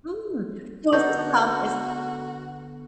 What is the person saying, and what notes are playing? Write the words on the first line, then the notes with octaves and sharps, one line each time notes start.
Mm! So is this com is
D3 B3 D#4 F#4 A4 C#6 G6